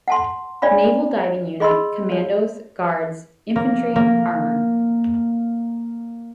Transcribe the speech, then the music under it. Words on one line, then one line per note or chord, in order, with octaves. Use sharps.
Naval Diving Unit, Commandos, Guards, Infantry, Armour.
F#5 A5 C6
D4 C#5 D5 F5 B5
G#4 D#5 B5 C6 E6
C#5
A#3
A#3